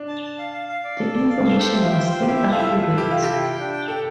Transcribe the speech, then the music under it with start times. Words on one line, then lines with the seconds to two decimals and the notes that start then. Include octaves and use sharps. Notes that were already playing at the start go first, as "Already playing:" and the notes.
The information was inaccurate.
Already playing: D4
0.08 A5
0.23 A5
0.39 F5
0.53 F5
0.69 F5
0.84 D5
0.98 A4
1.15 D5
1.30 F5
1.44 A4
1.59 G4 C5
1.75 E5
1.83 F4
1.91 G5
2.05 F4 C5
2.21 G4
2.28 E4
2.36 E5
2.51 F4 A4
2.59 E4
2.66 F4 A4
2.83 A4
2.97 E4 G4
3.11 F4 A4
3.24 E4 G4
3.42 G5
3.59 D4
3.73 G5
3.88 A4 G5